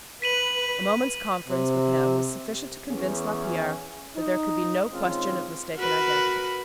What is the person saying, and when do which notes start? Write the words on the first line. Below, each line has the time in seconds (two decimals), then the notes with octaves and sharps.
A moment's conference with him was sufficient to convince Lapierre that there could be no question of mistaken identity.
0.22 B4 B6 D#7 F#7
1.48 C3
2.88 E2 C#4
4.16 D#4
4.91 D#3 G#3 C4 C#4 F4
5.76 F#4 A#4 B4